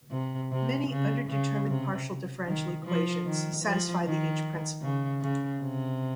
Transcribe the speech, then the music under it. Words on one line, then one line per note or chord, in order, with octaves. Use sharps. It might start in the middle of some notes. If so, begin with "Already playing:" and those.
Many underdetermined partial differential equations satisfy the h-principle.
C3
C3
C#3
C#3
C3
D#3
F3
D#3
F3
D#3
C#3
C#3
C3